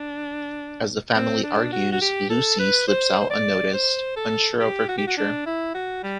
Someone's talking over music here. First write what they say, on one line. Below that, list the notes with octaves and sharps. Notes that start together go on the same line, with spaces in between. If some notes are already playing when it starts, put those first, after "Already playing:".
As the family argues, Lucy slips out unnoticed, unsure of her future.
Already playing: D4
C4
D4
F#4
F#4
G4
A4
B4
C5
C5
D5
C5
A4
G4
F#4
G4
F#4
D4
E4
F#4
G3